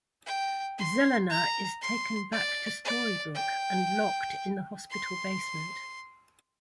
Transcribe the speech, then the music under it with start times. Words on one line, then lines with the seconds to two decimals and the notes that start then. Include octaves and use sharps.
Zelena is taken back to Storybrooke and locked in the hospital basement.
0.26 G5
0.78 C6
1.30 A#5
1.81 C6
2.32 D5
2.85 D5
3.35 G5
4.90 C6